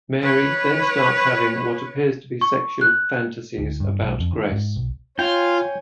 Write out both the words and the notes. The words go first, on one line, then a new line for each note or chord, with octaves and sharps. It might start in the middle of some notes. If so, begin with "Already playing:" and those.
Mary then starts having what appears to be sexual fantasies about Grace.
B4 C#5
C#6
F#6
D2
G2
B1
F2
D#3
G#2
B1
F4 C#5 G5 G#5